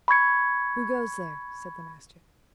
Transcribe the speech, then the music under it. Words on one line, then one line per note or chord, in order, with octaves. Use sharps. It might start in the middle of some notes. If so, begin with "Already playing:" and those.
"Who goes there?" said the master.
B5 C#6 G#6 C#7